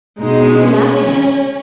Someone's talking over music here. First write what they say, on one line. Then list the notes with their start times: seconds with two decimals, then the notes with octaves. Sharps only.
"What are you laughing at?"
0.19 B2 G#3 D#4
0.59 C#4